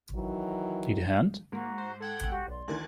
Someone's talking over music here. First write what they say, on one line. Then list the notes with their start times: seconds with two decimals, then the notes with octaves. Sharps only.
Need a hand?
0.16 D#3 E3 F#3
1.52 G#2 A#3 F#4 A#5
1.78 C5
2.00 A4 F#5 G5 G#6
2.29 F#4 G4
2.47 B1 D5 C6
2.68 D2 D#3 E3 F#6 G#6 A6